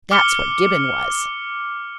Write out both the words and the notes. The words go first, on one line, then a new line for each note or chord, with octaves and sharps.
That's what Gibbon was.
D6 F6 C#7 G7